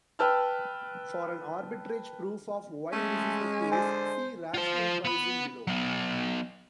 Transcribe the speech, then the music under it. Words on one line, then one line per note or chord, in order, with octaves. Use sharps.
For an arbitrage proof of why this is the case, see Rational pricing below.
B4 G5 A5 E6 F6
G#3 A3 C#4
D3 C5 G#5
F4 C5
B3 B5
F#3 B3